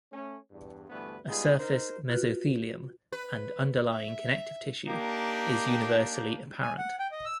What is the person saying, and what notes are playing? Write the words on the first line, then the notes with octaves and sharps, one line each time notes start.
A surface mesothelium and underlying connective tissue is universally apparent.
A3 C#4
E2 G2
D2 G2 E3 A3 B3 B4
G3 G#3 B3 D#4 F4 G#4
D#4 A#4 C5
F4 F#4 B4
B4
E5
A#3 D4 D#4 G4
G#5
F#5
G5
D#5
E6